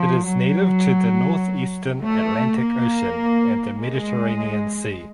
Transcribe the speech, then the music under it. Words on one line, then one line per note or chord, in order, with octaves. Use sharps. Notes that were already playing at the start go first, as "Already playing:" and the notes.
It is native to the northeastern Atlantic Ocean and the Mediterranean Sea.
Already playing: F3
F#3
A3
A#3
G#3